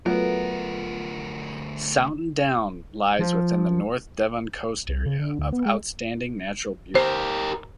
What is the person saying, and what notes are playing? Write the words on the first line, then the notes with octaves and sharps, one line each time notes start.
Saunton Down lies within the North Devon Coast Area of Outstanding Natural Beauty.
D2 F#3 A3 B3 F4 A#4
F3
C2
C#3
D3
D2
B3
G#3
G4 A#4 C5